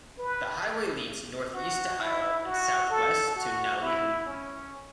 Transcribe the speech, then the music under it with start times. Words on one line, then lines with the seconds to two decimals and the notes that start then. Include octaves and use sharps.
The highway leads northeast to Hilo and southwest to Naalehu.
0.18 B4
1.54 F#4
1.99 E4
2.45 F#4
2.90 A4
3.35 F#4
3.81 E4
4.26 C#4